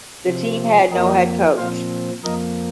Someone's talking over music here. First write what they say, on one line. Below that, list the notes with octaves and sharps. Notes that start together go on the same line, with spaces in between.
The team had no head coach.
C3 F3 C4
F2 F3 A#3 A#4 D#5
A#2 F3 C4 C5 F5
F2 F3 A#3 A#4 D#5